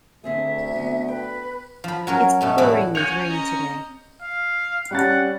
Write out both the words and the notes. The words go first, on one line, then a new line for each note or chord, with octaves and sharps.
It's pouring with rain today.
D2 D3 C4 G#4 E5
B3
B4 G5
F3 B5
F#3 C#4 A#4
B2 A3 C#4
E2 A2 E3 G3 F#5
C#4 F#4 G#5 G6 C#7 F7
D#5 A#5
F5
G3 C#4 F#5 A6